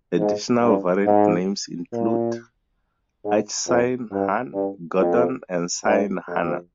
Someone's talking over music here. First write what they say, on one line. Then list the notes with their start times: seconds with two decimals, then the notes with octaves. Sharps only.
Additional variant names include: Achsinne-hanne, Gordon, and Sinne-hanna.
0.18 G#2
0.62 G2
1.05 G#2
1.93 A#2
3.23 G#2
3.67 F2
4.10 G2
4.54 G2
4.98 F2
5.85 G2
6.28 F2